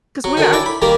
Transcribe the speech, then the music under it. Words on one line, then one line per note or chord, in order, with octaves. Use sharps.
'Cause we aren't
F#3
D3 D#3 F#3
E4 D5 G5 G#5
B5
D#3 G3 A#3 G4